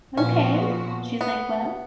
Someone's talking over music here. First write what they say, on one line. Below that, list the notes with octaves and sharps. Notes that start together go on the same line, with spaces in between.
"Okay." She's like, "Well"
A#2 F3 B3 C#4 F#4
B3